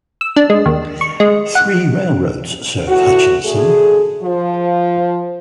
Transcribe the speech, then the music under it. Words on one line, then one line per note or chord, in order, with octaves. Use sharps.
Three railroads serve Hutchinson.
E6
D4
G#3
D#2
C#6
G#3
F#5
E2 A2 F#4
D3 A3 G#4
F3